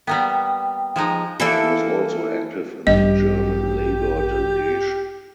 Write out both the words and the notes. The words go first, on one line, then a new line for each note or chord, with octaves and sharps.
He was also active in the German Labour Delegation.
G3 A#3 B3 G5
F3 G#3 D#4
E3 A#3 A4
A1 G2 G4 D#5